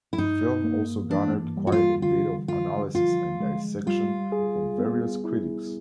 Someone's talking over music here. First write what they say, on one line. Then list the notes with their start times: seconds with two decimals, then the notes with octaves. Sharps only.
The film also garnered quite a bit of analysis and dissection from various critics.
0.13 E4
0.18 G2 D#4
0.64 A#3
1.10 E3 D4
1.57 G3
1.67 F#4
1.72 F4
2.02 D3 F4
2.48 D3 F4
2.95 F3 F4
3.40 G#3
3.86 G3 F4
4.32 G#4
4.78 B3
5.24 E4